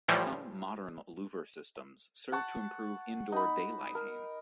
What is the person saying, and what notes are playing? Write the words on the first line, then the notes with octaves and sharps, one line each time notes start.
Some modern louver systems serve to improve indoor daylighting.
A2 E3 F3 G3
F#5 A5 C#6
D#4 B5
A#4